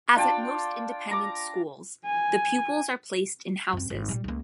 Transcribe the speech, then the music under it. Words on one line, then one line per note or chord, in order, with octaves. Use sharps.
As at most independent schools, the pupils are placed in houses.
D4 F4 G5 A5
A#5 D6
G#5
F#2 C4
G#1
A#2 G3
C#2 A#3